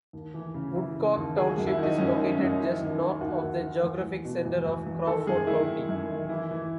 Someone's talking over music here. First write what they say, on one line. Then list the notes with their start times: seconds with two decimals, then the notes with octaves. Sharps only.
Woodcock Township is located just north of the geographic center of Crawford County.
0.13 D#2
0.34 E3
0.54 C#3
0.75 E3 E4
0.95 C#3
1.16 D#2
1.37 D#3 G#4
1.51 F#4
1.58 F#2
1.67 E4
1.78 D#3 D#4
1.98 F#2 C#4
2.14 D#4
2.19 D#3
2.29 C#4
2.39 F#2
2.45 D#4
2.59 D#3 E4
2.81 D#2
3.01 D#3
3.21 D#2 F#4
3.42 D#2
3.63 D#2
3.83 E2
4.04 E2
4.25 B2
4.45 E2
4.65 E2
4.87 E2
5.07 D#3 A4
5.27 F#2 G#4
5.47 D#3 E4
5.68 D#3
5.89 F#2
6.09 D#3
6.29 E3 E4
6.51 E3